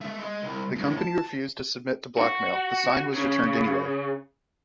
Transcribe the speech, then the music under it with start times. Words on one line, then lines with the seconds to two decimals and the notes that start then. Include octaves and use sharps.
The company refused to submit to blackmail; the sign was returned anyway.
0.01 G#3 E5
0.20 D#5 C6
0.42 C2
0.75 F#2 A2
0.98 A5
2.18 F#4
3.14 C#3